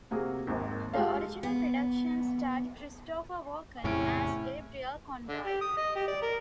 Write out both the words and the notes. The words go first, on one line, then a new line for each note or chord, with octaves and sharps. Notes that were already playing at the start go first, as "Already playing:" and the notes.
The original production starred Christopher Walken as Gabriel Conroy.
C3 A#3 F#4 G#4
G#1 D#2
G#3 F4 G4 A4 F5
B3
E2 A2 C3 C#4 D7
D3
G4
D#6
D#5
G4
D5
A#4